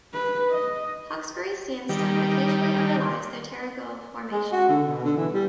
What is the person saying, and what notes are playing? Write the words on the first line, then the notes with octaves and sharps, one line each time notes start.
Hawkesbury Sandstone occasionally overlies the Terrigal Formation.
B4
D#5
D#3 G3
G#3
F#4
D3
B2
D3
E3
G3